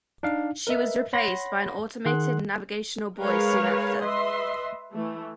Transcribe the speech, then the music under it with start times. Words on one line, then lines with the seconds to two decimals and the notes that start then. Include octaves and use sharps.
She was replaced by an automated navigational buoy soon after.
0.23 D4 D#4 F5
0.67 A#4 B4 D#5 E5
1.13 C#5 F#5 B5 C6 A#6
2.06 D#3 G#4 F#5 C6 F#6
3.19 G#3 G#4 A#4 B4 C#5 F5
4.00 B4 D#5 E5 C6
4.93 E3 A3